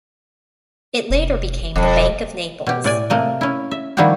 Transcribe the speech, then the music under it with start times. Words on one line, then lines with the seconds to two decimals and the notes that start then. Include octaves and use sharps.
It later became the Bank of Naples.
1.10 F1
1.76 E1 F2
2.67 B2 G4
2.84 A2 D5 G#5
3.10 C3 A3 A#3 D#5
3.41 C#4 E4
3.71 E5
3.97 D#3 F3 G3 E4 F#4 G4